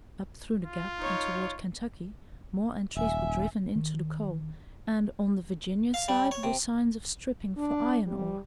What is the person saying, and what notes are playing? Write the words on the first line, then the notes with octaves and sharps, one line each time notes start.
Up through the Gap and toward Kentucky, more entries were driven into the coal, and on the Virginia side were signs of stripping for iron ore.
F4
D#4 C#5
D#1 E5 G#5
D#3
F5
G3
C#5
C3
D4
G3